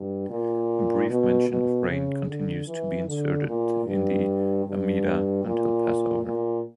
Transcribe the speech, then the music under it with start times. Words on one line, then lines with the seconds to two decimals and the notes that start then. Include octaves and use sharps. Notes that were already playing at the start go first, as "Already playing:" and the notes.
A brief mention of rain continues to be inserted in the "amidah" until Passover.
Already playing: G2
0.29 A#2
1.09 B2
1.48 B2
1.88 C#3
2.27 D3
2.67 E3
3.07 D3
3.46 A#2
3.86 G2
4.65 G2
5.44 A#2
6.23 A#2